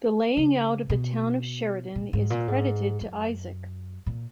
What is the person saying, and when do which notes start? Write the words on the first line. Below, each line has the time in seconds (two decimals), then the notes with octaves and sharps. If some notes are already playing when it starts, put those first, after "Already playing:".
The laying out of the town of Sheridan is credited to Isaac.
0.37 C#3
0.90 B2
1.95 A#2
2.13 G#2
2.30 A#2
2.48 G#2
3.01 F#2
4.06 A#2